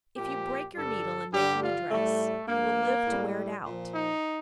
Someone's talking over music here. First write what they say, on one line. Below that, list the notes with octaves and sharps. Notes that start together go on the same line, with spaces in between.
If you break your needle in making a dress, you will live to wear it out.
A#2 F3 G4
G2 D3 G3 A4
G2 D3 G3 G4
F4
A2 G3 A3
G2 F3 A#3
A2 G3
A#2 F3
D#4